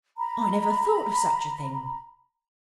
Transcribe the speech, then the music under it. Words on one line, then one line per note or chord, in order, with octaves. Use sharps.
'I never thought of such a thing.'
A#5 B5